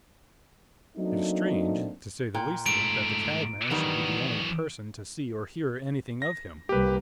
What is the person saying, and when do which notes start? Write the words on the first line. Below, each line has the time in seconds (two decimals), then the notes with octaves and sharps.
It is strange, to say the least of it, that the cabman should be the only person to see or hear anything of him.'
0.96 F#3 A3 A#3 C4 D4 D#4
2.34 A#2 G5
2.66 G#2 A3 D7
3.71 D#3 E3 F#3 G3 B3
6.22 A#6
6.69 C2 G3 A#3 G4 B4